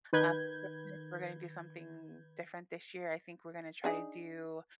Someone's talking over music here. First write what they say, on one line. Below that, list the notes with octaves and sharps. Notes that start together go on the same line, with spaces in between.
Um, for Christmas, we're gonna do something different this year. I think we're gonna try to do
D#3 B4 G6 G#6
D4 D#4 G#4